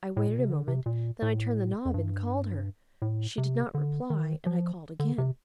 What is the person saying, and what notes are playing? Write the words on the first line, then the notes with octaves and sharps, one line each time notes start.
I waited a moment, then I turned the knob and called her: she did not reply and I called again.
A2
A#2
C3
D3
C3
A#2
A2
F2
G2
A2
C3
D3
D#3
F3
D3
C3